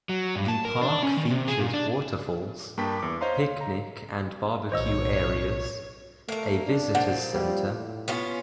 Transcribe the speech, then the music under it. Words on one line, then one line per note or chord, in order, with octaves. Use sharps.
The park features waterfalls, picnic and barbecue areas, a visitors centre.
F#3
G2
A5
A#4
D4
C#4
D#3
C3
G#4
A#2
D4
G2 A#3 G5 A5 B6
E2 D6
C5 C#5 D#5 F5 A#5 C6
F5
A#5
B1 A2 D#3 C5 C#5 D#5 E6
A3 A#3 A#4
D4
A#2 F3 F#5
G3
A2
B3 C#4 F4